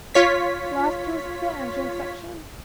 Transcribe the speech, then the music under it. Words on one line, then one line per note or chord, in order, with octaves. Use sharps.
Last was the engine section.
F4 C#5 B6